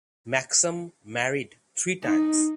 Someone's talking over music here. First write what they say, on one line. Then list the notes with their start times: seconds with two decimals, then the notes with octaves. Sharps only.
Maxam married three times.
2.02 D#4